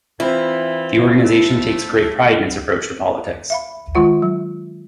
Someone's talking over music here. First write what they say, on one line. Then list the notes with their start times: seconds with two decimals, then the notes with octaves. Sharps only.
The organisation takes great pride in its approach to politics.
0.20 E3 C4 E4 F4
1.24 A3
3.50 E5 F5 B5
3.95 D#3 G#3 F4 F#5
4.22 F#3